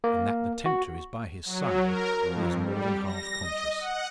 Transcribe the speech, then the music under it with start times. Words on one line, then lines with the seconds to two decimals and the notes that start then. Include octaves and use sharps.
And that the tempter is by his side he is more than half conscious.
0.04 A#3
0.66 F#4
1.45 F#3
1.83 A#4
2.21 F2
2.64 G3
3.04 A#6
3.40 D#5
3.78 F#5